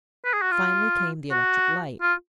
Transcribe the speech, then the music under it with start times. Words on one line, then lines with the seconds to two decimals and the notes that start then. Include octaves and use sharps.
Finally came the electric light.
0.24 B4
0.33 G#4
0.42 F#4
0.51 F4
1.31 F#4
2.01 F4